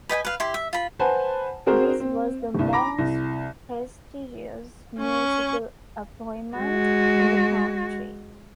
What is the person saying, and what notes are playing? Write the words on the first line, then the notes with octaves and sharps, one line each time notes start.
This was the most prestigious musical appointment in the country.
B4 D#5 G5 G#5
B4 F5
E4 G4 C6
E5
F4 B5
B4 C5 F#5 G#5 A5 B5
C4 F#4 G#4 A#4 C5
C4
G1 C2
A#5 B5 D6 A#6
C2
C#4 C#6
G#3 F#4